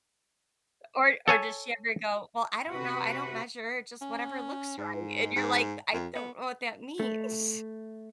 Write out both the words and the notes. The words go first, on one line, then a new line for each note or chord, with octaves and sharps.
Or or, does she ever go, "Well, I don't know, I don't measure, just whatever looks right." And you're like, "Th I don't know what that means."
A4 C#5 G#5
C3 F#4 B4
C#4
G#2
G#2
F2
B3
A3